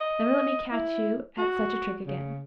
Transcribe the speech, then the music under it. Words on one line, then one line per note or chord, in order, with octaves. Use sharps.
Never let me catch you at such a trick again.
D#5
E4
F#4
C#3